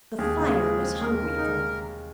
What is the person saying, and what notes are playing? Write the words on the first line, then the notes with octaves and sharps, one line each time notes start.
The fire was hungry for them.
D#2 G#4
C#3
G#3
C4
D#2 A#4
C#3
D#4
G#3